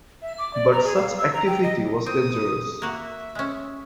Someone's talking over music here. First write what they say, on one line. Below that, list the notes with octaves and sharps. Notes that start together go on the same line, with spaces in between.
But such activity was dangerous.
E5
D6
D5
A#5
G#4
F5
E6
A#5
G5
D#5
C4 D#6
A#3 F#4 E5
G#3 C#4